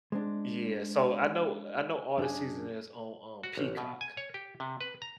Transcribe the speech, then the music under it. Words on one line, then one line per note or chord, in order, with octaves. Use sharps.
Yeah, so I know I know all the season is on on Peacock.
G#3 C4 D4
F#2 D4 F4 G#4
F#4
A1
B2
G#5
C#5
G4
C3
B4
A#5